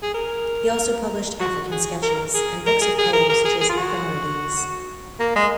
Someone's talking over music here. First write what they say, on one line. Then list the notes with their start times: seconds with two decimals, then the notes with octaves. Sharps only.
He also published "African Sketches" and books of poems, such as "Ephemerides".
0.02 G#4
0.14 A#4
1.40 F#4
1.71 G#4
2.03 A#4
2.34 G#4
2.66 A#4
2.82 G#4
2.98 G#4
3.13 A#4
3.29 A#4
3.45 G#4
3.61 G#4
3.69 F4
3.77 F#4
5.20 A#3
5.36 G#3